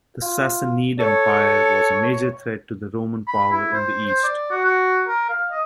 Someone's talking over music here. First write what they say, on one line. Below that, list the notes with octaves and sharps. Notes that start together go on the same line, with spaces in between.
The Sassanid Empire was a major threat to the Roman power in the East.
F4
A4 C#5
B5
E4
C5
C5
D5
F#4
F#4
A#4
F5
D#5